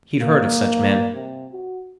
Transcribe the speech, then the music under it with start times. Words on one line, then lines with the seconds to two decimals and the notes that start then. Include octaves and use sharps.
He'd heard of such men.
0.21 A#3
1.15 C3
1.52 F#4